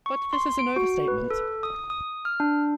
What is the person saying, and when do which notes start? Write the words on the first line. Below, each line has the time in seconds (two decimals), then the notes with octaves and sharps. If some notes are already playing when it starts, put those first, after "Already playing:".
But this is an overstatement.
0.06 C#6
0.33 C6
0.59 D7
0.76 F#4
1.08 B4
1.31 A4
1.63 D#6
1.90 D#6
2.25 F6
2.40 D4